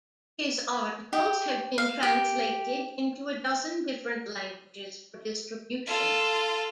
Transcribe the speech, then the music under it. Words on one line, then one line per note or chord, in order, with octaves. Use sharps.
His articles have been translated into a dozen different languages for distribution.
G4
F5
G4
F4 A4